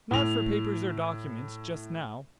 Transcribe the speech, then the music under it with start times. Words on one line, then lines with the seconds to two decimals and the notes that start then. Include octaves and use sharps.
Not for papers or documents--just now.
0.11 A2 F7